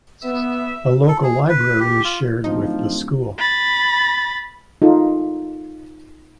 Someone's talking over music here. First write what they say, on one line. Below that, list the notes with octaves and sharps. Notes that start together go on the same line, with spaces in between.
A local library is shared with the school.
B3 E5
A4
G#4
B4
G4
F4
D1 F3 D#4
B5 A6
D#4 F4 A4